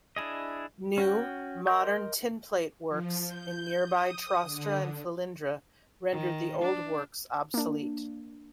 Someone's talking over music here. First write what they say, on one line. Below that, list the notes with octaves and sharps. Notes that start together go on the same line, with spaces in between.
New, modern tinplate works in nearby Trostre and Felindre rendered the old works obsolete.
D4 E4 G#4 D#5
C#4 F#4 G5
A#4 D#5 C6 G6
F3
G6
D#6
D3
D#3
D4
A#3 D4